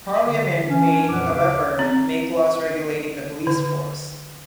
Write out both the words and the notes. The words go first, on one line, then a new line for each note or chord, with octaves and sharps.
Parliament may, however, make laws regulating the police force.
D3
E3 C#4 D4
F2 A#2 F3 B4 F#5 D6
D2 C#3 E5 F5 D6
C4
D3